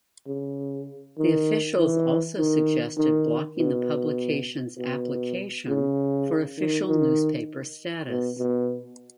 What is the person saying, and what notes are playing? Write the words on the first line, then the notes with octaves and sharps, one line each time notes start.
The officials also suggested blocking the publication's application for official newspaper status.
C#3
D#3
E3
D#3
D#3
B2
B2
C#3
D#3
D#3
B2
B2